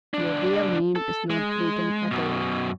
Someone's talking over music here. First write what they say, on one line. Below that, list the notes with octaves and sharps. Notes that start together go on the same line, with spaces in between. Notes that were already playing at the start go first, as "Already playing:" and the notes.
Your real name is not Breton at all.
C#2 D4
A4
G#3
F#2 B2